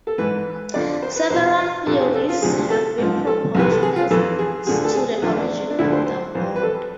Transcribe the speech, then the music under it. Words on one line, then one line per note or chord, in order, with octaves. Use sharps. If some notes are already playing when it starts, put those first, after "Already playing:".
Several theories have been proposed as to the origin of the hoard.
A4
G#2 E3 B4
F2 D3 F3 D5
C5
B4
E2 B2 C5
F4
F2 C3 F3 A4
G#4
A4
F4
D2 C3 F3 G#4
A4
G#2 F3
A4
C2 C3 E3 B4
A4
G#4
F4
F2 E3 A4
G#4
D2 D3 F3 G#4
A4
G#4
G#4
E2 D3 F3 F4
D4
D4
D2 D3 F3 E4
C5
C5
F2 E3 C5
B4
A4